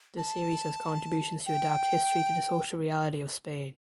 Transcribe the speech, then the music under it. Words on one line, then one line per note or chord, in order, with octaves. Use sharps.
The series has contributions to adapt history to the social reality of Spain.
A5
G5